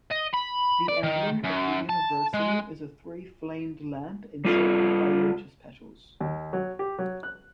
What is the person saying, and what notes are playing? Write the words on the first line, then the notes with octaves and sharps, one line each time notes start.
The emblem of the university is a three-flamed lamp encircled by lotus petals.
D#5
B5
D5
D#3
F#2
A5
G#3
G3 F4 A4
D#2
F#3
G4
F#3
F#6